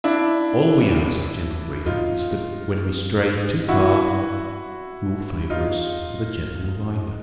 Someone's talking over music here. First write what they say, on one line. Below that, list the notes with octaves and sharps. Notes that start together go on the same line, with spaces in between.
All we ask, Gentle Reader, is that when we stray too far you will favour us with a gentle reminder.
D4 E4
D#4 F4
E4 F#4
D#4 F4